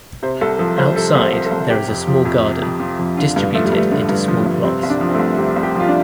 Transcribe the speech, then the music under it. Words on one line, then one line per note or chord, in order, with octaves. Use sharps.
Outside, there is a small garden, distributed into small plots.
C3 C5
C2 A4
F3 A4
C2 C5
C3 A4
C2
C5
F3
A4
C2
C3 G4
F2
F3
F2
C3
F2
F3
F2
D3 F4
G2
F3 A3
G3
G2 A3
D3 A3
G2
F3
G2
C3 C4
C2
D4
F3
C4
A3
C2
C3 C4
C2
G4
F3 F4
D4